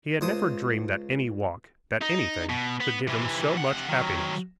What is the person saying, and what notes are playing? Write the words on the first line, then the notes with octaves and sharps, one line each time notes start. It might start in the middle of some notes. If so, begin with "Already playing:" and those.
He had never dreamed that any walk--that anything--could give him so much happiness.
C#2 C5 D#6
D#4
B2
B3
C3 E3
C3 F#5
D#3 F#3